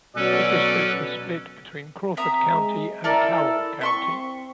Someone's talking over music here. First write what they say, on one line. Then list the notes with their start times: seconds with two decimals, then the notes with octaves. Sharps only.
The district is split between Crawford County and Carroll County.
0.16 B2 F#3 C#4 A4 B4 D5
2.17 C4 E5 A#5 D#6
2.50 G#3
3.04 E4 A4 A#4 D5
3.81 C4 E5 C6 C#6